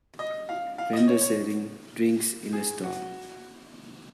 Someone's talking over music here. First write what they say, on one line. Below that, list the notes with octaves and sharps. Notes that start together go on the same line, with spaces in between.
Vendor selling drinks in a stall.
D#5
F5
F5
D#5
C#5
C#5
G#4
F#4